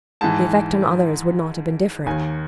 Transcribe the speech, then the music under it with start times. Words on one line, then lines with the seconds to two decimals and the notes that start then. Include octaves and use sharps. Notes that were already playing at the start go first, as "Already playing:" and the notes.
The effect on others would not have been different.
0.21 G#2 E3 A5
2.06 D#2 D#3 G#5